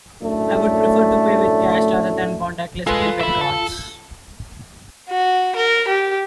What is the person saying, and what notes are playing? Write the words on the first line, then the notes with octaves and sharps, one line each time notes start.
I would prefer to pay with cash rather than contactless prepaid cards.
F#2 A2 A3 D4
G#3 F4 A4 B4
E5 B5
A4
F#4
A#4
G4